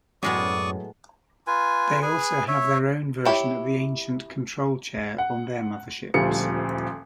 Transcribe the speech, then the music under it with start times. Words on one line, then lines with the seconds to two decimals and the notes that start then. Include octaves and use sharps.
They also have their own version of the Ancient control chair on their motherships.
0.23 F#2 A2 F#3 G#3 B3 D5 C#6 D#6
1.47 F4 B4 G#5
2.02 G#4 B4 G#5
2.48 C#5 E5
3.25 E4 G4 C#5
5.18 F#5
6.14 D#1 D2 F3 G3 C#7